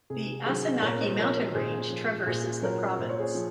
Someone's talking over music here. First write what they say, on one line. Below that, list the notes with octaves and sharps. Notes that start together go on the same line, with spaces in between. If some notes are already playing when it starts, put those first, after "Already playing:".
The Asanaki mountain range traverses the province.
C3 G#4
D#3 F#3 G#4 C5
A#2 A#4 C#5
C5 D#5
F3 A#4 C#5
A#4 C#5
A#2 G#4 C5
F3
A#2 G#4 C5
F#3 A#4 C#5
A#2 C5
C#5
G#4 C5
F3